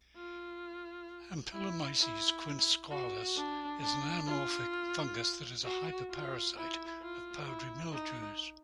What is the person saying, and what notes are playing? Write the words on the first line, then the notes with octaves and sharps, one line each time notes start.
"Ampelomyces quisqualis" is an anamorphic fungus that is a hyperparasite of powdery mildews.
F4
E4
E4
F#4
D4
D4
F4
F#4
F4
E4
F4
E4
D#4